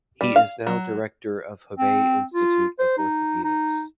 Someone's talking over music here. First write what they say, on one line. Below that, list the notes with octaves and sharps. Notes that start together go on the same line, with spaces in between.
He is now director of Hebei Institute of Orthopedics.
G3
F5
F#3
C4
F4
C5
D#4
D#4